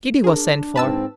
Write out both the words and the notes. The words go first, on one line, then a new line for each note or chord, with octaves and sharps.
Kitty was sent for.
D4 G#4 A#4
G#2 C4 B4 A5 E6